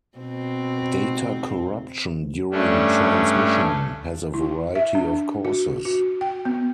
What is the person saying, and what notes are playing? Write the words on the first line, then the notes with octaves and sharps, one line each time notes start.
Data corruption during transmission has a variety of causes.
B2 C4
G2 A3 C#4 D4
E4
E5
D4
F#4
F#4
G5
B3